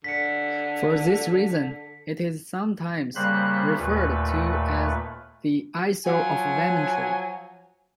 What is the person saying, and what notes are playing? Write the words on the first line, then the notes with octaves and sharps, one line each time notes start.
For this reason, it is sometimes referred to as the "Isle of Vementry".
D3 B6 C#7
C#3 G3 A#3 C5 B5 F#6
D#2 A#2 A3 B4
F3 F#3 G#5